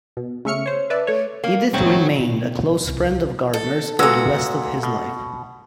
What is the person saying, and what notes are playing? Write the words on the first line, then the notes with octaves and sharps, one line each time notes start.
Edith remained a close friend of Gardner's for the rest of his life.
B2
C#3 A3 E5 C#6 F6 C#7
C5 C#5
B4 D5 E5 A5
A3 C#5
A#3
A2 D#3 C4 F#4 C#5
B2
D1 C2
A4
A#2 G#3 A3 F#4 A4 B4 E6
B2